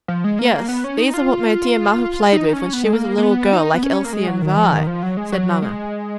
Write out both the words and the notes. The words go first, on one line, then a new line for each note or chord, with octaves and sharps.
"Yes, these are what my dear mother played with when she was a little girl like Elsie and Vi" said mamma.
F3
G#3
A#3
A#3
B3
C#4
D#4
F4
D#4
C#4
B3
G#3
A#3
A#3
B3
D#4
B3
C#4
A#3
G#3
F#3
D#3
F3
D#3
F3
F#3
G#3
F#3
G#3